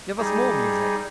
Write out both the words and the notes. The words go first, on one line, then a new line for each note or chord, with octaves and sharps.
Give us more music.
G3 D#4 G#4